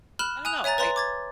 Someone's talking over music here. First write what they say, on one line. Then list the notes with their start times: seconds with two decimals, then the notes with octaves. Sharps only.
I don't know, I
0.19 B5 F6 F#6 E7 F#7 G7
0.45 G#5 D#6 F#6 F7
0.64 C#5 E5 G#5 A#5 A6
0.78 B4 C#5 A#5 C6 A6
0.96 D6 G#6 A6